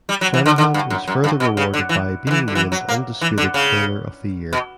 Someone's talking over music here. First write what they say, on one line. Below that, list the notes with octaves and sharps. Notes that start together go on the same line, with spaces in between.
Shanahan was further rewarded by being named undisputed Hurler of the Year.
G3
F#3
E3
D3
D3
G2
F#2
F#2
G2
B2
C#3
D3
E3
D3
E3
D3
E3
F#3
A#3
E3
D3
C#3
B2